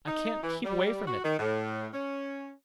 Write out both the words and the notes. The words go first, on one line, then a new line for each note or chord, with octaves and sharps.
'I can't keep away from it.
D#4
E3
G3
F#4
D#3
A2
C#4